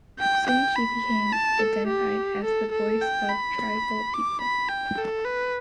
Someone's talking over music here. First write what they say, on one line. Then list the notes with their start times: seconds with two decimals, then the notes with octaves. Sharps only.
Soon she became identified as the voice of tribal people.
0.19 G5
0.47 G5
0.75 B5
1.32 A5
1.59 A4
1.88 G4
2.44 A4
2.72 A4
3.01 G5
3.29 B5
4.14 D6
4.41 B5
4.69 G5
4.98 A4
5.25 B4